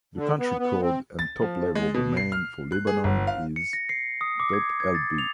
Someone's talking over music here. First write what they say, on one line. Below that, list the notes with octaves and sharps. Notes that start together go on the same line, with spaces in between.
The country code and top-level domain for Lebanon is ".lb".
D3
B3
B3
C4
A6
F3
G#3
B2
C7
F6
F#6
G#4
G1
F5
C#7
A#6
C7
D#6
D6
G#6
G#6
A6
F7